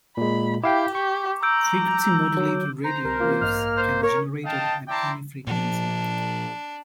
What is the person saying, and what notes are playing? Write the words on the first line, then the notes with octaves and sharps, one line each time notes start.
Frequency-modulated radio waves can be generated at any frequency.
A#2 G#3 B5
E4 G4 F5 G5 D6
G4 C#6
A#5 E6 G6 D7
F#3
C5 A#5
C2 A#4
E3 A#3 C#4 F4
A1 G2 D#5 F6
C5
A#4 C#5
A#4 D#5 F5 G5 A5
E4 D5 G5 A5 A#5 C6
A#2 F3 D4